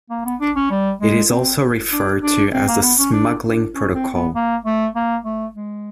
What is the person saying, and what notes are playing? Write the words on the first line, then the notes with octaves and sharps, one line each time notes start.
It is also referred to as the Smuggling Protocol.
A#3
B3
D4
C#4
G3
G#3
C4
D4
D4
C4
A#3
B3
C#4
D4
D4
C#4
C4
B3
A#3
A3
A#3
A3
G#3